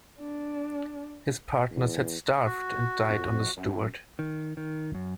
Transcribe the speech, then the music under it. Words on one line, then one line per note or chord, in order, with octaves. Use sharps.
His partners had starved and died on the Stewart.
D4
E2
F#4
F2
F#2
D#3
D#3
F#2